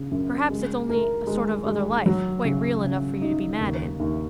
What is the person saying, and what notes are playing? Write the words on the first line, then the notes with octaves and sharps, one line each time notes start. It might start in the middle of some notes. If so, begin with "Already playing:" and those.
Perhaps it's only a sort of other life--quite real enough for you to be mad in.
Already playing: C#3
F#2
G#3
A#4
G#3
G#3
F#3
C#3
C#3
D#4
D#2
D#2